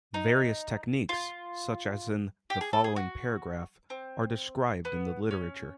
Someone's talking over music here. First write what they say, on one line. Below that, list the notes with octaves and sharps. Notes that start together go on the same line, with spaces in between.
Various techniques, such as in the following paragraph, are described in the literature.
D#4
F4
G4
G#4
A4
G#4
F#4
C4
B3
C#4